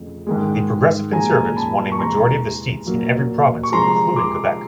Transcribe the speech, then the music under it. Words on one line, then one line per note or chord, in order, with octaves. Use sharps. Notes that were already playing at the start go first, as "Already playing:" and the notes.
The Progressive Conservatives won a majority of the seats in every province, including Quebec.
Already playing: F2 C#3 F3 A3
G#2 D#3 G#3
A#2 F3 G#3 G#5 A#5
A5 B5
C#6
E2 C3 E3 G#3 A#5 C6
A#2 F#3 A#3
C#6
C3 F3 G#3 A#5 C6
C6 D6